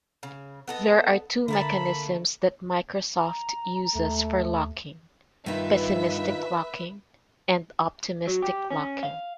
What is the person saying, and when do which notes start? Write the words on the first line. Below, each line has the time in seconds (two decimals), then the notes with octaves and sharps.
There are two mechanisms that Microsoft uses for locking: "pessimistic locking", and "optimistic locking".
0.23 C#3
0.68 B3 A4 D#5
1.48 D3 A3 A#3 A5 B5
3.18 A#5
3.95 D#2 A3
5.46 G2 D#3 D#4 F4 B4 E5
8.27 F#3
8.42 G4
8.70 C#4
9.03 F5